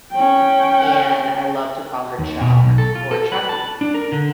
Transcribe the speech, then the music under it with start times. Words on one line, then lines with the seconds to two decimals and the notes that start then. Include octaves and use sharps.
and I love to call her Chuck or Chuckie
0.12 C#4 G5
2.18 D#2
2.41 B2
2.63 B1
2.78 A4
2.95 F4
3.11 A4
3.32 B4
3.49 A5
3.81 D4
3.94 A#4
4.12 D3